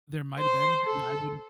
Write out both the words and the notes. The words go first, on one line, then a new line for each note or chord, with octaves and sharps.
There might've been, I wouldn't
C5
A4